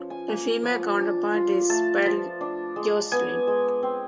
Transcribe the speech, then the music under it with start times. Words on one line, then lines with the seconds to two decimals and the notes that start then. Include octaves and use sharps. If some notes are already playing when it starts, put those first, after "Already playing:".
The female counterpart is spelled "Jocelyne".
Already playing: F3 C#4
0.10 G#5
0.28 A#3 G#5
0.63 F3
0.99 D4
1.34 F4
1.69 A3 A5
2.05 F3
2.41 D4
2.76 G#3
3.12 B3 G#5
3.47 G#3
3.83 C4